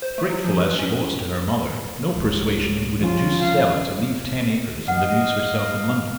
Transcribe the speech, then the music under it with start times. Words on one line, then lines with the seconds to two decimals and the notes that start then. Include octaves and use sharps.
Grateful as she was to her mother, no persuasion would induce Stella to leave Ten Acres and amuse herself in London.
0.02 C5
0.18 A3
0.30 F#3
0.44 F3
0.63 B4
0.79 C#4
2.11 C#2
3.01 F3 C#4 F4
3.41 F5
4.88 D#5 F5 F#5